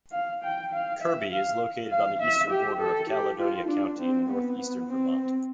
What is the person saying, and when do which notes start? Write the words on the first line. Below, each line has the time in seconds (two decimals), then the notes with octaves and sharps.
Kirby is located on the eastern border of Caledonia County in northeastern Vermont.
0.12 F5
0.43 G5
0.72 F5
1.02 E5
1.32 F5
1.91 F5
2.21 E5
2.50 G4
2.80 A4
3.10 G4
3.40 F4
3.69 D4
3.99 C4
4.29 B3
4.59 B3
4.87 C4